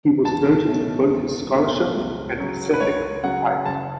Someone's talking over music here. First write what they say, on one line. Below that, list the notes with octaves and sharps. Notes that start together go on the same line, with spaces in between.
He was noted for both his scholarship and ascetic piety.
E2 A5
B2 A3 C#4
E2
B2 A3 C#4
C#2
C#3 F#3 C#4
B4
C#2 C#5
C#3 F#3 C#4 F#5
F#1 A5